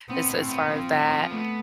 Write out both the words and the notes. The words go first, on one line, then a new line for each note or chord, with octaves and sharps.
as as far as that.
B3 C4
A2
C4
B3
F3 C4
A2
F3
A3 B3